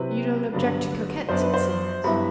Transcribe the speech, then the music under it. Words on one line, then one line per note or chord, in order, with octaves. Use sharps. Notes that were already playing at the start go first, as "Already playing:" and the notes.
"You don't object to coquettes, it seems?"
Already playing: C3 F#3 C4 E4 B4
G2 D3 F#3 B3 D4
F#2 F#3 B3 D4 C5
B4
C5
G2 F#3 B3 E4 B5